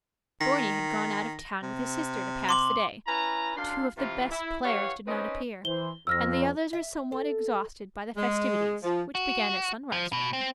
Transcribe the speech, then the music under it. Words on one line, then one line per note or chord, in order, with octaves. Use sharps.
Thorny had gone out of town with his sister to pass the day, two of the best players did not appear, and the others were somewhat exhausted by the festivities, which began at sunrise for them.
D#3 A#6
C3
C6 D6 F#7
C#4 E4 B4 A#5
F#2 D4 F5 C6
C3 E3 F4
E4
E3 G4 C#5 F5 F#5
C4 C#4 D#4 B4
E3 C5 G7
F2 E6 F6 A#6
E5
A4
G#3
F3
F#4
F3
B2
C4